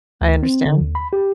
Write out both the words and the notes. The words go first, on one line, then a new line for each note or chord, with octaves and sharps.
I understand.
D2
C4
D3
D#2
B5
G4